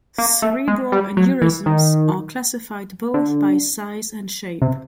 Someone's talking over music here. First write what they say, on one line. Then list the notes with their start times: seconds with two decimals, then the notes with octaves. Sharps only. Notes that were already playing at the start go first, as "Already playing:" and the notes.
Cerebral aneurysms are classified both by size and shape.
0.18 A#3
0.42 A3
0.68 G#3
0.92 G3
1.17 F#3
1.42 E3
1.66 D#3
3.14 D3
4.62 C3